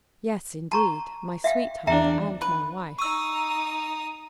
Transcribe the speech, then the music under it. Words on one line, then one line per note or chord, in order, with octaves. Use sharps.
"Yes, indeed; my sweetheart and my wife."
A5 A#5 C#6
E5 F5 G5
E2 D4 E5 G5 A#5
B4
D#4 C#6 D#6 E6